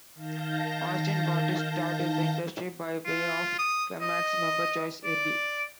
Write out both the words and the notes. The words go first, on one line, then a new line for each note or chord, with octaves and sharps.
Austin got his start in the industry by way of Klymaxx member Joyce Irby.
D#3 F5 A5 G6 A#6
F4
D#6
D#5
D5